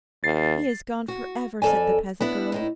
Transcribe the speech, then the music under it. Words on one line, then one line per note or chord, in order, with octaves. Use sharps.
"He is gone forever," said the peasant girl.
D#2 A6 C7
F#4
F2 F#3 A4 D5 G#5
B3 D4 E4
A2 D#4 E4